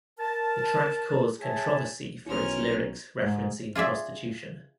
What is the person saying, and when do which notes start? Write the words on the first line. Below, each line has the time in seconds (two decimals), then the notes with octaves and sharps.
The track caused controversy for its lyrics referencing prostitution.
0.19 A#4 A5
1.40 G#4 C#5 E5 G#5 A5
2.26 B1 C#4 E4 A#4 C6 F6
3.20 G#2
3.75 F4 G#4 D5 E5